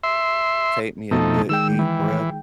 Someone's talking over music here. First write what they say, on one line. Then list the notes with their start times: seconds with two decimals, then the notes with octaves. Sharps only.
take me a good deep breath,
0.03 E5 C6
1.11 F2 B2 A3 D#4
1.49 D#3 G#3 G5 E6
1.79 E3